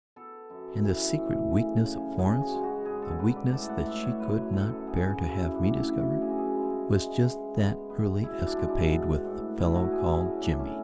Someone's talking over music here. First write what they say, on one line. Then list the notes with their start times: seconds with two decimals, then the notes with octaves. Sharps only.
And the secret weakness of Florence--the weakness that she could not bear to have me discover, was just that early escapade with the fellow called Jimmy.
0.16 B3 A4
0.50 F#2
0.84 E3
1.18 A2
1.51 C#3
1.84 C#3
2.18 B3 G#4
2.41 F#4
2.52 G#3
2.63 F#4
2.85 G#2 G#4
3.02 A4
3.19 G#2 B4
3.36 D5
3.53 A2 A5
3.69 F#5
3.86 A2 E5
4.03 C#5
4.20 F#2 B4
4.53 F#2 A4
4.87 B3 G#4
5.09 F#4
5.21 C#3
5.32 E4
5.54 A2 D4
5.77 E4
5.88 A2
5.99 F#4
6.22 C#3 G#4
6.30 F#4
6.38 G#4
6.55 G#3
6.89 G#3
7.23 G#3
7.56 B3
7.90 B3
8.23 B2 E4
8.46 D4
8.57 G#3
8.68 D4
8.91 B3
9.25 A2
9.58 B2 E4
9.75 F#4
9.91 B2 G#4
10.09 E4
10.25 A3 C#4
10.42 D4
10.59 A3 C#4